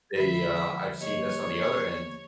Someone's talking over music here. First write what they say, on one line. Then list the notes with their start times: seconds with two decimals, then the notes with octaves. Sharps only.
they, uh, I've seen this on the other end,
0.16 D3 F3 G#3 E5 B5
1.01 A#3 G4 C#5 D#5